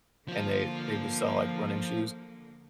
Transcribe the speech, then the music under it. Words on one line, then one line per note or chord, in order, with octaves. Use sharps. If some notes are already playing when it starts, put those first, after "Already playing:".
and they they just sell, like, running shoes,
D3 F3 A#3 F4